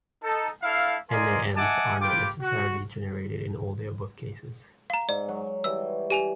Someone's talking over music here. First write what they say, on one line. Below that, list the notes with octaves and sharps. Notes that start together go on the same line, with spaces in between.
NaNs are not necessarily generated in all the above cases.
D#4 A4
D4 E4 A4 F5
F4 A#4 D5 D#5 G#5 C6
D#5 E5 F#5 G#5 A5 D6
F4 G4 B4 G5 D6
F#4
F5 A#5
G#2 D5
F#3
E3 G3 E6
G4 G#5 F7